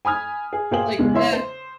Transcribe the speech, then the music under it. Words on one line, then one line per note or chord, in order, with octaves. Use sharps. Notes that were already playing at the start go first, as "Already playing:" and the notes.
Like the
G#5 B5 D#6 F6 G#6
G#4
A#2 A#3 G#4 C5 G5 F#7
E2 C#3 G#3
E4 C#5 E5 C6
C5